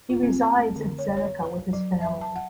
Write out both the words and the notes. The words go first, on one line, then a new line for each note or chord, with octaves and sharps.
He resides in Zenica with his family.
F4
C4
A5
A3
D3
C#5
C#5
B4
F#3
E5
A5
F#5